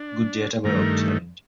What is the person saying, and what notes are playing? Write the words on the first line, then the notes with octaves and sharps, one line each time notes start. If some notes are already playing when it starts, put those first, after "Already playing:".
Good data were obtained.
Already playing: D4
G2 D#3 A3 A#4